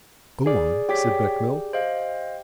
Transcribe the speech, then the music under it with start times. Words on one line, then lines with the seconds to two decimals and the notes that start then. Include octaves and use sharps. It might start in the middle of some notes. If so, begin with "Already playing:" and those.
"Go on," said Bechamel.
0.46 G#4 D5
0.89 G4 C#5 D6 B6
1.73 C5 D#5 F5